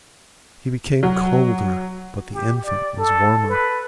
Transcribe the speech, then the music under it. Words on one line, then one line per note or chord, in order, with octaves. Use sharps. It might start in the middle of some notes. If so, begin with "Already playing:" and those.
He became colder, but the infant was warmer.
F#3
G4
D5
A4
B4